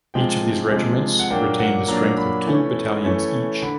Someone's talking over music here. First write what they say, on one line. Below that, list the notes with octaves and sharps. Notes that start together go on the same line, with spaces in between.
Each of these regiments retained the strength of two battalions each.
C3 F3 G#3 G5
C3 F3 G#3
F#5
A#2 F#3 A#3 D4 G5
F#5
A#2 F#3 A#3 D4 A#5
B5
E3 A3 C#4
E3 A3 C#4
D3 B5